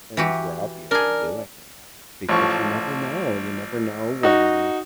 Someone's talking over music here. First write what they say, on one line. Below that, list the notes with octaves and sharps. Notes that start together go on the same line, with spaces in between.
things rob you of doing that. Because you never know you never know when
E3 F#4 G4
D4 G#4 A#4
A1 F3 C#6
D#4 F#4